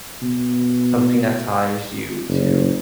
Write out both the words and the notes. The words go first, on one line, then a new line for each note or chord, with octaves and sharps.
something that ties you to
B2
F#1